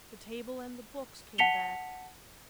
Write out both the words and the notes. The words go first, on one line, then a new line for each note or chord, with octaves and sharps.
The table and the books came back.
F#5 A5 B6 C#7 F7 G7